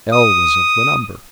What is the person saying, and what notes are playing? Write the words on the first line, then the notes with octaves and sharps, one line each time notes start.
L--was of the number.
D#6